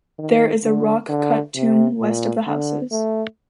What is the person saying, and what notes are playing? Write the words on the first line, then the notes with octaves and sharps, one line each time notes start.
There is a rock-cut tomb west of the houses.
D#3
D3
D3
C3
A#2
D3
A3